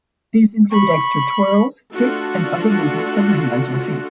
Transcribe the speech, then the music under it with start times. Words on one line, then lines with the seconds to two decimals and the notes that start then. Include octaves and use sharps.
These include extra twirls, kicks, and other movements of the hands or feet.
0.71 B5 C#6
1.93 A3 D4 F4 F#4 A4